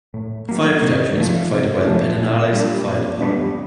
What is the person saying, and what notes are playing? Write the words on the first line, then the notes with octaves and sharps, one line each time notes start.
Fire protection is provided by the Pedernales Fire Department.
A2
F#3 A#3
C3
F3 A3
C3
F3 A3
A#2
G3 B3 D4
A#2
G3 B3 D4